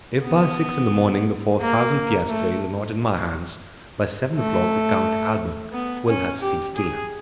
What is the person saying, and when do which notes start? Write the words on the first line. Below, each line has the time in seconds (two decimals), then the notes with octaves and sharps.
"If by six in the morning the four thousand piastres are not in my hands, by seven o'clock the Count Albert will have ceased to live."
0.24 B3
1.61 A#3
2.29 A3
4.36 A3
5.72 B3
6.07 C#4
6.41 G4
6.75 G#4